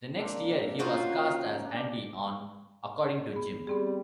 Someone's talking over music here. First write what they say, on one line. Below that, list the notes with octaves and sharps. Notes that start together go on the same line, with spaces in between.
The next year he was cast as "Andy" on "According to Jim".
A#3 C4 D4
C#3 D#4 F4 F#4 C5 A#5
D4 G4
B3 G#4
G3 B3 C4 G#4